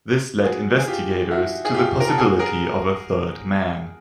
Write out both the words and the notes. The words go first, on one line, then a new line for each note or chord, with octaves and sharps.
This led investigators to the possibility of a third man.
F#4 G#4
G#4
F4 G4
E4 F#4
G#4
F4 G4
A#4
A4
F#4 G#4
G#4 A#4